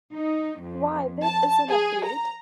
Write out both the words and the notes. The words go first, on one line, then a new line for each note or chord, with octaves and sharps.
Why, that isn’t a bed!
D#4
F2
A5
G#4
A#5